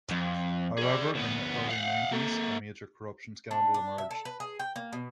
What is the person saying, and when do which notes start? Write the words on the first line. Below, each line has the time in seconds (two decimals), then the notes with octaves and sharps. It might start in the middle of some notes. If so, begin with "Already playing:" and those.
However, in the early nineties a major corruption scandal emerged.
0.11 F2
0.78 G#4 D5
1.15 D2 B3
1.70 F5 F#5
2.13 A#3 A4
3.51 D4
3.74 D4
3.98 E5
4.11 A4
4.25 B4
4.40 G#4
4.59 G5
4.76 A#3
4.93 B2